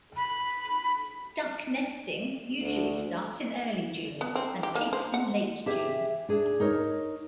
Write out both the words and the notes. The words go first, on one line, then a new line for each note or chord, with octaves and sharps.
Duck nesting usually starts in early June and peaks in late June.
B5
D2
B3
C4
G4
A#3
C5
F#5
G4 G#4 E5
D4 G#4
D#4 A#4 C#5